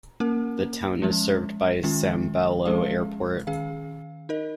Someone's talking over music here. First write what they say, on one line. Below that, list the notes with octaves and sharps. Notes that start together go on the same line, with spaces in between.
The town is served by Sambailo Airport.
A#3 C#4 A#4
F3 G#3 C#4
D#3 G#3 C#4 F4
F3 G#3 C#4 G#4 F5
D#3 C#4 G#4 F5
D#4 A#4 D#5